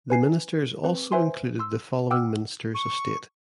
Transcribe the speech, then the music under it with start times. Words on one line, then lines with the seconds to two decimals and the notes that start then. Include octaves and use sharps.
The ministers also included the following ministers of state.
0.10 B4 G#5 C7
0.84 C4 B4
1.12 B4 C5 E5 G#5 C6
1.59 C6 E6
2.11 F#5 G5 D6 E6 F6
2.75 C#6